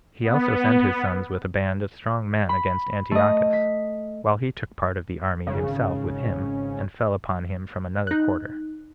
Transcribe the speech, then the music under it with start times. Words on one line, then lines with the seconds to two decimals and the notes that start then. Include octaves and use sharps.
He also sent his sons with a band of strong men against Antiochus, while he took part of the army himself with him, and fell upon him from another quarter.
0.23 B3
2.49 B5
3.11 A3 D#5
3.53 B6
5.47 G#1 C#3
8.07 D#4 F#6